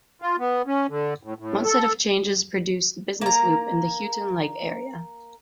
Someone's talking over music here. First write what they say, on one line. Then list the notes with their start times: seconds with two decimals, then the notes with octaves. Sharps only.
One set of changes produced a business loop in the Houghton Lake area.
0.22 F4
0.39 B3
0.67 C#4
0.89 D3
1.23 A2
1.39 A2
1.64 A4
3.21 A#3 A#5